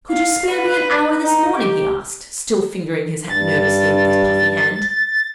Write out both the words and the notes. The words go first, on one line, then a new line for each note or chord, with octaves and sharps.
'Could you spare me an hour this morning?' he asked, still fingering his hat nervously with his puffy hand.
F5
B4
D#4
G4
G2 A6